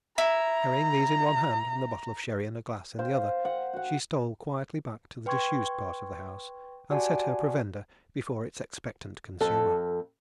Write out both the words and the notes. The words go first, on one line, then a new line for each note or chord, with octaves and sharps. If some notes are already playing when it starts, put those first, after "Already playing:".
Carrying these in one hand, and the bottle of sherry and a glass in the other, she stole quietly back to the disused part of the house, and set her provender before its expectant consumer.
E4 A#5
C5 F5
F#5
F#4 F#5
B4 G5 C6 C#6 G#6
F#4 G4 D5 F#5 G#5 A5
F2 A4